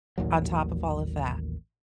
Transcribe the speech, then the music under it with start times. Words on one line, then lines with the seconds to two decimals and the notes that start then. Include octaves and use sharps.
on top of all of that.
0.18 A1 D#2 A#2 F#3